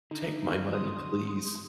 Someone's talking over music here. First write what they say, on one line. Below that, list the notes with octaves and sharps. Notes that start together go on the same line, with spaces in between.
Take my money, please."
D3 D#4
C6 D#6